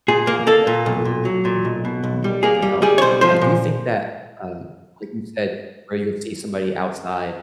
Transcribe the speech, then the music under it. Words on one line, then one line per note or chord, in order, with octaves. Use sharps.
um, definitely, um, you know, able to help. I do think that, um, like you said, where you'll see somebody outside,
A#2 G#4
A#3
A#3 A4
A#2
B1
A#2
F#3
A#2
B1
B2
B1
G3
A#3 G#4
G3
G3 G#4
C#5
B1 C5
F3 C5
A#2